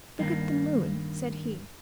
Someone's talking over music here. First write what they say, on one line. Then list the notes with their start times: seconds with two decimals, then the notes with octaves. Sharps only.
"Look at the moon," said he.
0.19 G2 D#3 A#3